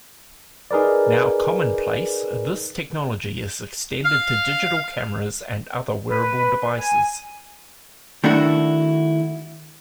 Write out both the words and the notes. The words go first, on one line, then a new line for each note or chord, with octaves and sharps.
Now commonplace, this technology is extended to digital cameras and other wearable devices.
D#4 G#4 A#4 B4 D5
F5
B4
G#5
D#3 A3 D4 E4 F#4